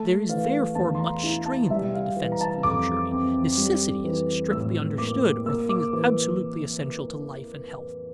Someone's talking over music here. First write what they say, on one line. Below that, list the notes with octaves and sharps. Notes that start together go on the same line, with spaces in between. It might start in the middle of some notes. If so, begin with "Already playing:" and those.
There is therefore much strength in the defense of luxury. Necessities, strictly understood, are things absolutely essential to life and health.
Already playing: A3 A5
E3 F5
E2 A5
C6
A#5
E4 A#5
A5
G3 E5
F5
E3
A#5
A5
F2 D6
C4
G3
E3
A2 E6
A#3 D6
A#3 E6
D6
E3 D6